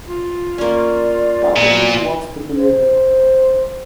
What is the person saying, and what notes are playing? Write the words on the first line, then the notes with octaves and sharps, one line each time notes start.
Part of me wants to believe you.
F4
A#3 C#4 D5
A#2 B3
C5